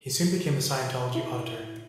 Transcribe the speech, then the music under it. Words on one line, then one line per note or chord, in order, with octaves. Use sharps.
He soon became a Scientology auditor.
E4